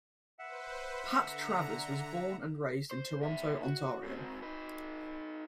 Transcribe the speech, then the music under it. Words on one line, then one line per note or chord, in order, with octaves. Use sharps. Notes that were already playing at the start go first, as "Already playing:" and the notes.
Pat Travers was born and raised in Toronto, Ontario.
B4 C5 E5 F#5
D3 A#5
C5
A#2 E5
F#4
G#2 C4
D#4 B4